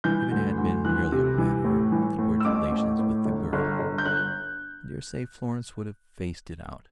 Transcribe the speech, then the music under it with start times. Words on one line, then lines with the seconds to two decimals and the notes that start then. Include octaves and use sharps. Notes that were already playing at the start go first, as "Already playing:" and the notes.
If it had been merely a matter of Edward's relations with the girl I dare say Florence would have faced it out.
0.04 E3 G6
0.31 D2
0.58 D2
0.85 E3 F#6
1.12 C3
1.38 E3
1.64 A2
1.92 E3
2.19 A2
2.40 E6
2.45 A1 D6
2.72 A2
2.99 A2
3.25 G1
3.53 G1
3.80 G1
3.98 G6
4.05 G1 F#6